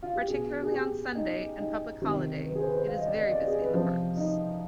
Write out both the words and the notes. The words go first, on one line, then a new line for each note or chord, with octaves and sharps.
Particularly on Sunday and Public Holiday, it is very busy in the parks.
F4
G4
B2 G#4
G#4
G4
D#4
D#4
C3 D#3 G4
B4
G#4
C5
B4
C5
F5
D#5
D5
D#5
D5
G#4
B4
C3 F3 C5
D#4